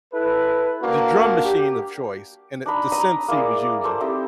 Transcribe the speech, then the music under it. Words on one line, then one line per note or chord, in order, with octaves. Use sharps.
the drum machine of choice and the the synths he was using.
E4 A4 B4
A#3 D4 F#4
G4
D4 D#4 B5
D#5 A#5 B5 D#6
A#3 E4 G#4 D5
A4 C5
C4 D#4 E4 G4